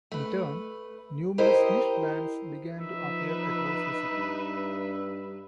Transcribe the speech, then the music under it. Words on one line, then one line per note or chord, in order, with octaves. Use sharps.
In turn, numerous niche bands began to appear across the city.
A3 B4
E4 G4 A#4 C5 D#5
F3 D#4 B4 E5
G2